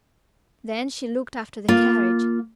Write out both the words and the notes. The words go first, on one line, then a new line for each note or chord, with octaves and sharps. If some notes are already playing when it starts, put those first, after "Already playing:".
Then she looked after the carriage.
A#3 F4